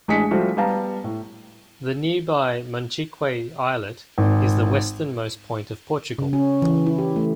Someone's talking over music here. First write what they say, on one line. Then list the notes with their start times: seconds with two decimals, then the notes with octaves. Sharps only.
The nearby Monchique Islet is the westernmost point of Portugal.
0.08 A1 G#3 D4 G#5 B6 C#7
0.31 F3 G3 A3 F#4
0.57 G3 B3 F5 A5 A#5
1.04 A2
4.18 G#1
6.18 C#3
6.33 C#4
6.62 E3
6.86 E4
6.98 G4
7.16 A3